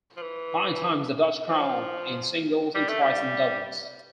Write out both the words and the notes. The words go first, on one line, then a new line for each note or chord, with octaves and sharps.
Nine times the Dutch crown in singles and twice in doubles.
F3
E3
F3
G3
A3
G3